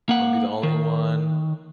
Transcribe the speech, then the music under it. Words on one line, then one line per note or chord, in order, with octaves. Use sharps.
I'll be the only one
A#3 F#5
D#3